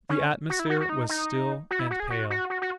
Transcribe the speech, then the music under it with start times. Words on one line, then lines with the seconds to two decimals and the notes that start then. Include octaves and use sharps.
The atmosphere was still and pale.
0.09 C#4
0.50 F#4
0.59 E4
0.70 F#4
0.80 F#4
0.89 D#4
1.09 D#4
1.71 F#4
1.79 E4
1.91 F#4
2.00 G#4
2.10 F#4
2.30 F#4
2.50 F#4
2.62 F#4